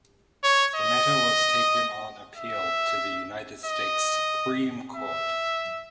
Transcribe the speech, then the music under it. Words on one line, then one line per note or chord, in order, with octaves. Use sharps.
The matter was taken on appeal to the United States Supreme Court.
C#5
D#5
E5
D#5
E5